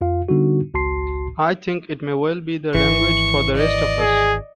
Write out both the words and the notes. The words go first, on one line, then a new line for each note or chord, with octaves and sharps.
I think it may well be the language for the rest of us.
F2 F4 F5
D3 G3 B3 D4 D#4 F#4
G#1 C#2 F#4 A5 C6 C7
G#1 E3 C#6
D5 D#5
G#4